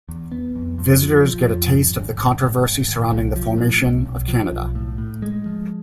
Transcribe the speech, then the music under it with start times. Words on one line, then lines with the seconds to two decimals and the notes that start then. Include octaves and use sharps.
Visitors get a taste of the controversy surrounding the formation of Canada.
0.09 E2
0.32 B3
0.55 F2
0.78 F2
1.02 F3
1.24 F3
1.48 F2
1.72 G#1
1.96 G#1
2.18 G#1
2.42 G#1
2.65 G#1
2.88 G#1
3.12 B1
3.36 F3
3.58 A2
3.82 B1
4.06 B1
4.28 F3
4.52 B1
4.75 A2
4.98 A2
5.22 G#3
5.46 F3